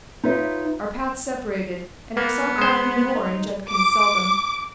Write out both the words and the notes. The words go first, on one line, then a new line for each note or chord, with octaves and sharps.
Our paths separated, and I saw Kraft no more and Judkins seldom.
D#4 F4 B4 C#5 E5
A#3 B3
G#3 C5
D#4
D6